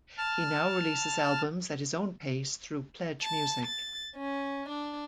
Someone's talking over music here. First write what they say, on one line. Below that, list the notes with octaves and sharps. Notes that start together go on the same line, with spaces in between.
He now releases albums at his own pace through PledgeMusic.
A5 F6
A5
A6
C#4
D4